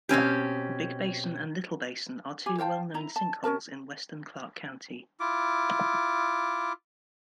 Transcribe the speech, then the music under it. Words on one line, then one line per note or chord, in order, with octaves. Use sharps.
Big Basin and Little Basin are two well-known sinkholes in western Clark County.
B2 C4 C#4 G4
G4 G#5
C5 F5 G5 A5
E4 A#5
A5
C#4 D4 A#4 A5
E4 F4 D6